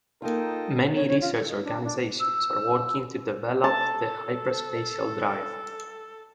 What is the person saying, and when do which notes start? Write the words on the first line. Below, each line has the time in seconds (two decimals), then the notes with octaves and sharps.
Many research organizations are working to develop the hyperspatial drive.
0.22 A#3 D#4 F4 A4 D#5 G5
0.94 C#5
1.08 C#5
1.21 F4
1.36 A4
1.49 D#5
1.64 D4
1.84 D4
2.19 E6
3.64 A4 A5